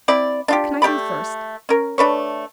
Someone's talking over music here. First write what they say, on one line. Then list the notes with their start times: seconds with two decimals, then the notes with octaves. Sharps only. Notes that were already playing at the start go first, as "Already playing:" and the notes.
What can I do first?
0.08 C4 E4 D5
0.48 D4 F4 G4
0.82 A3 G4 D5 B5
1.69 C#4 A#4
1.98 A3 D4 B4 C#5